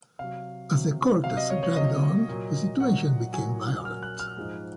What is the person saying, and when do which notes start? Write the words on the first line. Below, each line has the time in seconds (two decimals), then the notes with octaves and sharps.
As the "Cortes" dragged on, the situation became violent.
0.19 C3 F#3 F5
0.71 C3 F#3
1.24 C3 F#3 F5
1.37 D#5
1.50 C#5
1.63 C#5
1.76 C3 F#3 D#5
2.28 A#2 F#3
2.80 A#2 F#3 F#5
3.33 A#2 F#3 G#5
3.85 A#2 F#3 F6
4.03 F#6
4.19 F6
4.37 G#2 F3 G#3